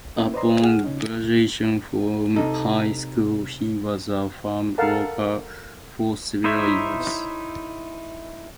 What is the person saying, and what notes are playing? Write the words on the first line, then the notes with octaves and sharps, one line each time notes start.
Upon graduation from high school, he was a farm worker for several years.
A3 A#3 C#4 E4
B4 C5 D5 D#5 A#5 C6
G#4 F#5 F6
C#3 C#4 D#4
C3 D#4 A4
A4 A#4 F5 F#5 A5
D#4 E4 C5 C#5 E5